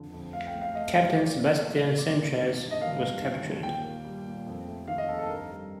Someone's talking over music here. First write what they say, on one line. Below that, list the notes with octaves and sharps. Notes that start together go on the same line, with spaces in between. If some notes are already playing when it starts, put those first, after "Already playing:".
Captain Sebastian Sanchez was captured.
Already playing: F2 D3 F3
F2
A3 F5
G5
A2
F5
A3 D#5
A2
A3 D5
A#2
A3
A#2
G2 D5
A#3
D#3
G2
D#5
A#3 F5
G3
D#3
D#2
A#2 G5
A#3
G3
A#2
F2
A3
D#3 F5
D#5
F2 A4
A4
G2 A#4
G3